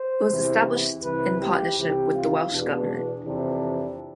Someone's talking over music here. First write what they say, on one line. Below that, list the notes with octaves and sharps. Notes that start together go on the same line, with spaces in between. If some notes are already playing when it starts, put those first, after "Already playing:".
It was established in partnership with the Welsh Government.
Already playing: C5
E2 C3 E3
C2 C3 E3 B4
G4
C2 C3 E3 G4
F4
E2 B2 D4
F2 C3 E3 D4